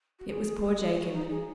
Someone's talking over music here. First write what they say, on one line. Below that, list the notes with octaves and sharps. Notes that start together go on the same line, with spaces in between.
It was poor Jacob.
F#4
G#4
G#4
F#4
D#4
G#4